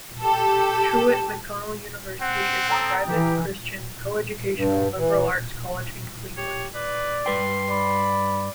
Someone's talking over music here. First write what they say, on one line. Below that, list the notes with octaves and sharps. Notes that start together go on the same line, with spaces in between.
Truett McConnell University is a private, Christian, coeducational liberal arts college in Cleveland.
G4 A4
C4 F#5
A4 G5 A#5 D#6
E3 G4
G2
E3
G4 C#5
B4 D5
G2 B4 G5 C6
D5 B5